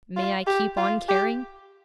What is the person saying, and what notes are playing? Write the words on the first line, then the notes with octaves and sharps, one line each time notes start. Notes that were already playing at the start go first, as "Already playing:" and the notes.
May I keep on caring?'
F4
G4
F4
G4